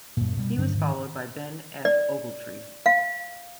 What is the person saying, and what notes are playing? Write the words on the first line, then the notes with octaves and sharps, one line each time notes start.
He was followed by Ben F. Ogletree.
F#2 A#2
B2 G3
G2 D3 F#3 D4
G#2 D#3
D5
F5